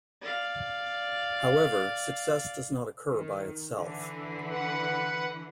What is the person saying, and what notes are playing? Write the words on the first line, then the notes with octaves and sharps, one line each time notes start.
However, success does not occur by itself.
D5 F5
D#3
D3 E3
B4 F#5